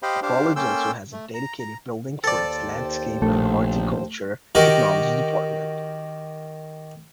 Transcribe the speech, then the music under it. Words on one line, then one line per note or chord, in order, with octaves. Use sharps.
The college also has a dedicated building for its Landscape and Horticulture Technology Department.
G4 C5 D#5 F5 G5 B5
D4 G4 C5 F5
A#3 C#4 A4 G5 C6 E6
A3
A#5
A#5
D#2 A4 C5 D5 G5
A#1 A3
D#3 F#4 G4 A#4